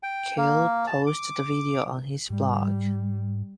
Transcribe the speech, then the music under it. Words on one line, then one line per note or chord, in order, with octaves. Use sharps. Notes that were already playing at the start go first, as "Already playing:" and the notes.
Kele posted the video on his blog.
G5
A#3
A5
D6
G#2 G3